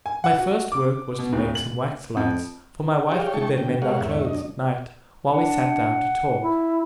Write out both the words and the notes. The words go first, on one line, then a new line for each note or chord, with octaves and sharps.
My first work was to make some wax lights, for my wife could then mend our clothes at night, while we sat down to talk.
G#5
F#5
F#4
D6
B2
D1
F#7
F2
G4 G#4 C#5 D5 F5 G5
G#3 E4 G#4 G5 A5 C#6
A#2 D3 G5
G#3 G4 A#4 C#5 F5 F#5
E2 G#2 C#5 E5
F#2 D4 D#5
D4 F#5
E4